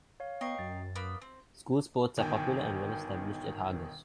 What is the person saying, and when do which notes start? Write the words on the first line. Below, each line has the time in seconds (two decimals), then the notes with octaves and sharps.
School sports are popular and well established at Hargest.
0.20 C#5 F5
0.41 B3 D#5 G5 A#5 C#6 C7
0.59 F#2 A6
0.96 A#3 B3 B5
1.21 C4
2.17 G1 B2 D#3 G5 G#5